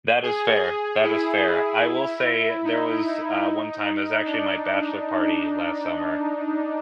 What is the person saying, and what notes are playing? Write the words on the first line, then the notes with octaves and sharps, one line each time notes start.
That is fair that is fair, I will say there was, uh, one time, it was actually my bachelor party last summer,
G#4
G#4
E4
D#4
D4